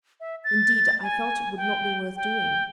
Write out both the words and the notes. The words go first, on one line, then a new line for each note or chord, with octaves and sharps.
Indeed I felt it would not be worth doing.
E5
A6
G#5
G5
G5